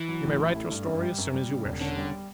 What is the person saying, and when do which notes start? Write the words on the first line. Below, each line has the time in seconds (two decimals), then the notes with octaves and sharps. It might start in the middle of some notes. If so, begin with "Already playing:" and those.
You may write your story as soon as you wish.
Already playing: E3
0.09 F#3
0.25 A1
0.40 E4
0.55 A3
0.71 G2
0.87 F#2
1.02 G3
1.18 F#2
1.34 G3
1.49 C#3
1.65 E1
1.81 D3 C#4
1.97 G3